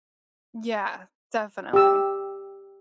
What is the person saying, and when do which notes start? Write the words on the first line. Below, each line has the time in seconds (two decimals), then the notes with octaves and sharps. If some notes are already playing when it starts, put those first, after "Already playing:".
Yeah, definitely.
1.73 G4 E6